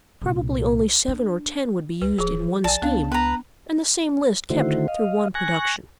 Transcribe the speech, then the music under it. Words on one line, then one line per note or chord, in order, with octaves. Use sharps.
Probably only seven or ten would be used in one scheme and the same list kept through one production.
C2 A#2
D4
C#2 B4
D1 F3 G#4
A#1 D5 G#5 A5
C#2 B3 D4 F5
B3 B4 A#5
D3 D#3 A3 E4 F#4 C5
D#5 F5
G#5 C#6 F#6 A#6